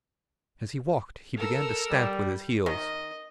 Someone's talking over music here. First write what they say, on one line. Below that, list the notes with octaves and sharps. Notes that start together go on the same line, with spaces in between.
As he walked he began to stamp with his heels.
A4 A#4 E6
G3
D#3 D#5